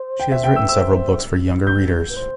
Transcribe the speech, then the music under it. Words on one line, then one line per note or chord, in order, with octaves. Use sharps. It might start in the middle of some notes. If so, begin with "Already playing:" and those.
She has written several books for younger readers.
Already playing: C5
G5
E5
G5
E6
B4
C5 E6
G6
B4
C5